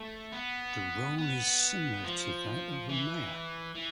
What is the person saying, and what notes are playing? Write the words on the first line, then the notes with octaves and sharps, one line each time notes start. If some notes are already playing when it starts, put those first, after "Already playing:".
The role is similar to that of a mayor.
Already playing: A3
B3
B3
F3
E3
E3